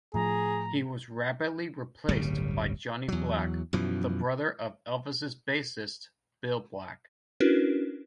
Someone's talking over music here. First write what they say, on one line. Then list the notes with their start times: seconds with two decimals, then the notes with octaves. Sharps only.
He was rapidly replaced by Johnny Black, the brother of Elvis's bassist Bill Black.
0.14 A2 F3 G#4 A#5
2.09 D1 G1 C#3 G3
3.08 E2 F#3
3.73 F#2 B2 E3 F3
7.40 C#4 D4 E4 F#4 A#4 B4